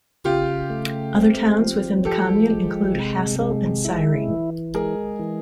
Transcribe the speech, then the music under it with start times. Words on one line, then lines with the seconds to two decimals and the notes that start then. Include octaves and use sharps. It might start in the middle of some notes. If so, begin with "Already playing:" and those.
Other towns within the commune include Hassel and Syren.
0.25 C#3 F4 G4
0.70 A3
1.15 C4
1.60 F3
2.05 F3 G4 A4
2.50 G#3
2.94 C3
3.40 G#3
3.85 E4
4.30 E3
4.75 G#3 G#4 A#4
5.19 E3